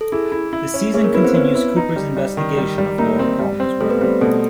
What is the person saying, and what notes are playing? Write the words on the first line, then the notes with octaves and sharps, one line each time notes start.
The season continues Cooper's investigation of Laura Palmer's murder.
A4
E4 G#4
E4
E4
C#4
C#4 G#4
A#3 A#4
B3 E4 B4
C4 C5
B3 C#4 B4
E4
D#4
G3
G3
D#3
G3
G3
A#3 D#4 A#4
C4
G3
C4
G3 A3 A4
B3 B4
G3 C4 C5
B2 A3 A4